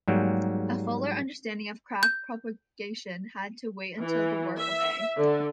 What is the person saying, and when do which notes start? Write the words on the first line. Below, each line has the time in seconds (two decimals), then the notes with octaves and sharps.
A fuller understanding of crack propagation had to wait until the work of A.
0.08 G#2 F#3 G3 A#3
2.03 G6
3.99 E3
4.59 E5
5.18 D3